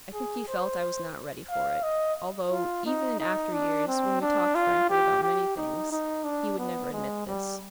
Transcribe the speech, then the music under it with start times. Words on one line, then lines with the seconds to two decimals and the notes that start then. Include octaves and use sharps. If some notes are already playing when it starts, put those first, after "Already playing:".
I think he felt I was not ready for it, although even in after years, when we talked frankly about many things, he would never admit this.
0.14 G#4
0.48 C5
1.50 F5
1.83 D#5
2.51 F4
2.86 D#4
3.20 D#4
3.53 D4
3.88 C4
4.22 D4
4.55 F4
4.90 G4
5.23 G4
5.57 D#4
5.91 D#4
6.24 D4
6.58 B3
6.92 G#3
7.26 G3